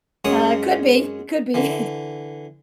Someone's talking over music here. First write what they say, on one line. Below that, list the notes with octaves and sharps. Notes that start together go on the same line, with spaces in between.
Ah, could be could be,
F#2 G#3 C#5 D#6
D3 E3